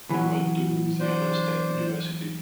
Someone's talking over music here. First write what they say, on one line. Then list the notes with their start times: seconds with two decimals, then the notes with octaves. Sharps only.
He went to Louisiana State University.
0.10 E3 F#3
1.00 D4 C5